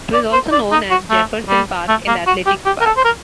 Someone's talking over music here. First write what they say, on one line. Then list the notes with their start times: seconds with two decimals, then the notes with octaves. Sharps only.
It was also known as Jefferson Park and Athletics Park.
0.14 D5
0.33 C5
0.52 D5
0.72 D#4
0.91 F#4
1.10 A3
1.49 G3
1.89 A3
2.08 A#3
2.27 F#4
2.46 G4
2.66 G4
2.81 A#4
2.86 A4
2.97 C5
3.05 A#4